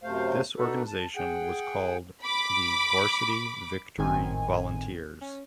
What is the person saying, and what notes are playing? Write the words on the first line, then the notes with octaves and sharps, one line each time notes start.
This organization was called the Varsity Victory Volunteers.
F#2 C3 A3 C5 F5
D4 D#4 F#4 A4 B4
A5
G#4 F#5 G5
B5 D6
G#1 A2 D#3 C4 G#5
C#4